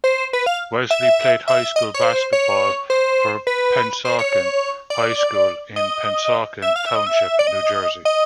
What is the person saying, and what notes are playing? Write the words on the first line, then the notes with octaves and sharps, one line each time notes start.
Wesley played high school basketball for Pennsauken High School in Pennsauken Township, New Jersey.
C5
B4
F5
E5
E5
D#5
C#5
C5
C#5
C5
B4
C5
C#5
D5
D#5
E5
F5
E5
D#5
E5
D5
D#5
D#5